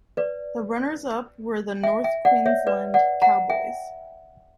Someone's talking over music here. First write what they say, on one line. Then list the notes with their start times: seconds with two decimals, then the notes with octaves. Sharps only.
The runners up were the North Queensland Cowboys.
0.17 B4 D5
1.83 E5 G5
2.04 E5 G5
2.25 D5 F#5
2.46 C#5 E5
2.67 B4 D5
2.94 D5 F#5
3.22 F#5 A#5
3.50 E5 G5